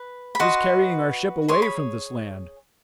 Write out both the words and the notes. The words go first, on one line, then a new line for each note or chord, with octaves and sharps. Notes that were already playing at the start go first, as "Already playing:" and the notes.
It is carrying our ship away from this land.
Already playing: B4
B5
F#4 B4 D#5 C6
G#4 C#5 C6
B5